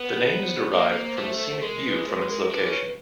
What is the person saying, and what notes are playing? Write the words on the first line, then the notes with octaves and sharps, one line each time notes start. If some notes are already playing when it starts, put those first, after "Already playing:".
The name is derived from the scenic view from its location.
Already playing: B3 B4
C5
A#3 C5
A3
G#3 A#4
B4
C5
B4
A#4
A#4
D4 B4
C#4